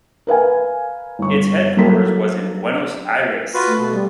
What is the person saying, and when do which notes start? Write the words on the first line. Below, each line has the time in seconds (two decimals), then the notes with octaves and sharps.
Its headquarters was in Buenos Aires.
0.27 A#4 B4 F5 G#5
1.19 G1 C#6
1.77 F#3 A#3 A4 B6
3.54 F4 F#4 B4
3.66 A3
3.78 B2
3.92 G3